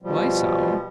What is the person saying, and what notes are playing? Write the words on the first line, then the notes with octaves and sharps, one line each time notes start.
"Why so?"
B2 F3 G3